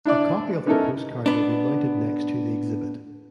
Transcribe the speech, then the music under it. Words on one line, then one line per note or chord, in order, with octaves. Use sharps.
A copy of the postcard will be mounted next to the exhibit.
D4 E4 D5 D6
B3 C#4 D#4 E4 A4 A#4
B3 D4